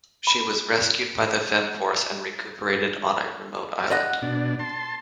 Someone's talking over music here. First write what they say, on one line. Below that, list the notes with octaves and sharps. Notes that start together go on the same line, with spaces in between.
She was rescued by the Femforce and recuperated on a remote island.
B5
D5 D#5 F#5
B2 D4
A5 C6